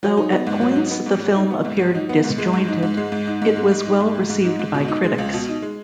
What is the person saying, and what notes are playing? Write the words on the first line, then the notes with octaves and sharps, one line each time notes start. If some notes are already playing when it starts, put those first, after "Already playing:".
Though at points the film appeared disjointed, it was well received by critics.
F#3
D#4
B3
G#2
F#3
D#4
B3
G#2
F#3
D#4
B3
G#2
F#3
D#4
B3
G#2
G#3
G#2
D#4
G#2
G#3
G#2
D#4
G#2
G#3
G#2
D#4
G#2
G#3
G#2
D#4
G#2
B2
D#4
G#3
C#2
B2
D#4
G#3